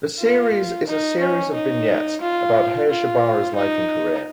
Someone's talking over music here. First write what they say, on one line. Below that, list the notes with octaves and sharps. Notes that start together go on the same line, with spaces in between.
The series is a series of vignettes about Hayashibara's life and career.
F4
D#4
C#4
D#4
F4
F4
D#4